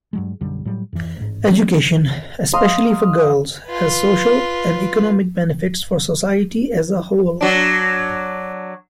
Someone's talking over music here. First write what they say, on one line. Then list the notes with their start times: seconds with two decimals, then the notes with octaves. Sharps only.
Education, especially for girls, has social and economic benefits for society as a whole.
0.13 G2 F#3 G#3
0.41 B1 F#2 D3 G3
0.65 A2 F#3 G3
0.93 F2 E3
1.16 A1 G#2
1.50 E3 G#3 B3 C#4
2.54 D#5 F5 A#5 C6
3.67 F4 B4
7.41 F#3 D4